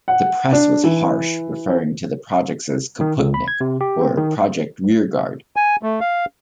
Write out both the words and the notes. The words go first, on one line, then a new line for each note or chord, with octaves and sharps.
The press was harsh, referring to the project as "Kaputnik" or "Project Rearguard".
F#5
D4
E3
D#3
C#2
B5
G#6
C3
G4
C4
D#3
G#5
A3
F5